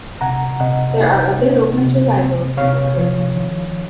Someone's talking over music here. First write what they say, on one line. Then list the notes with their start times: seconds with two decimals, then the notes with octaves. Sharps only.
There are other Roman survivals in the crypt.
0.21 C3 F#5 A#5
0.60 C3 D#5 F#5
1.00 D#4
1.39 A#3
1.79 C3
2.18 C4
2.57 C3 C#5 F5
2.97 F3
3.36 D#3